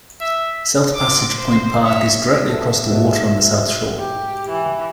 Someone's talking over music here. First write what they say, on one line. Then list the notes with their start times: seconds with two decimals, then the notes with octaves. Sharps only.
South Passage Point Park is directly across the water on the south shore.
0.20 E5
0.95 F4 D6
1.33 C5
1.82 C#5 E5
2.49 A4 E5
2.90 G#2 B2 A3
3.97 G4
4.49 E3